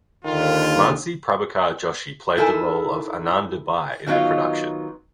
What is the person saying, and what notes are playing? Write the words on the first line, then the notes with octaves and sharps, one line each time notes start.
Mansi Prabhakar Joshi played the role of Anandibai in the production.
D#2 D3 D#3 F4
D#4 E4 A4 A#4 G#5
D#3 F#3 B3 D#4 F4